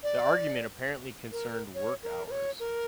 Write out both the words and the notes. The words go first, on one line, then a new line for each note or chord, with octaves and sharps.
The argument apparently concerned work hours.
D5
A#4
C#5
A#4
A#4
C#5
A#4